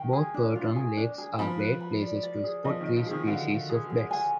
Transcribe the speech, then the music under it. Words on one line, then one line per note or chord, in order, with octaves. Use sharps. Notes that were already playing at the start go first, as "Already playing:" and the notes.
Both Perton lakes are great places to spot three species of bats.
Already playing: D#3 G5
G#4
D4
F4
G#4
D4
G#4
F3 B5
B4
B5
D5
D5
G#4
F3 D#5
D#3
D#5
F3
D#3 G#4
D3 F5
F5
G#4
G#4
G#5